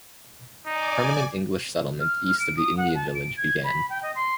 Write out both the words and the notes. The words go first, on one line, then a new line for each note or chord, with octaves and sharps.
Permanent English settlement east of the Indian village began.
D#4 D5 G#5 D6
F6
D7
D#6
F#5
A5
D7
G#6
B5
G5
D#5
C6